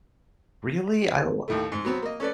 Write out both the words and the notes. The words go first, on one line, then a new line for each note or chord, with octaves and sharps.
Really? I w
D#2 A2 A3
G#2
F#3 B3 C4
A#3 D#5
C#4 A4 B4 D5